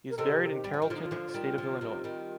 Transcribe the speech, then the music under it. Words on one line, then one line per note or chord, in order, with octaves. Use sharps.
He is buried in Carrollton, State of Illinois.
A#4
C3 D#3 A4
A4
G4
G3
F3
D#3 G4
F4
D3 F3 D#4
F4
D3 F3
F3
D#3 G3
D3 F3
C3 D#3
D#3 G3